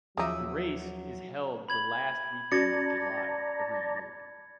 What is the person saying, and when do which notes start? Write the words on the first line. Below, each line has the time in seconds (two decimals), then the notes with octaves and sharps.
The race is held the last weekend of July every year.
0.17 D#2 C#3 F3 F#3 D#4 E5 D6 D#6
1.69 B5 G#6 F#7
2.52 C#4 F#4 D5 A5 A#5 G#6 A6 C#7